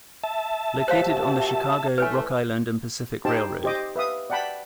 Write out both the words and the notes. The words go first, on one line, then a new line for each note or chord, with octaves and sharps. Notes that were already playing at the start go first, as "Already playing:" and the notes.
Located on the Chicago, Rock Island and Pacific Railroad.
E5 A5
A#2 F#4 G4 C5 C#5 F5
E3 A3 B4 C#5 G#5
D#4 G4 C5 G5 A5
G4 C5 D#5 D6
B4 E5 F5 D#6
D5 F#5 G5 A5 B5